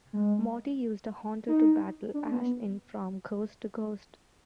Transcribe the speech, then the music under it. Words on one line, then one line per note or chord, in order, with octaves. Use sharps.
Morty used a Haunter to battle Ash in "From Ghost to Ghost".
G#3
D#4
D4
B3